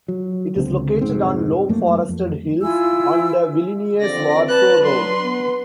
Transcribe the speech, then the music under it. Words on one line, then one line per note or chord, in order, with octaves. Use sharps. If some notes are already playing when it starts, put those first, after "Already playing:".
It is located on low forested hills, on the Vilnius-Warsaw road.
F#3
C#2 D3 C4
F1 G#2 C4
F#2 A3 A#3
F2
E4 F4 G#5 E6
F2 D3 C4 D5 A#6
B4 A5 F#6
F#3 D4 B4 C6
B3